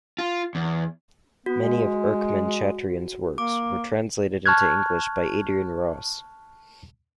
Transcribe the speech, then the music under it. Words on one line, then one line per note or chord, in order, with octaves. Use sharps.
Many of Erckmann-Chatrian's works were translated into English by Adrian Ross.
F4
E2
B3 F#4
G#3
A#3 D6
A5 C#6 F6 F#6 G#6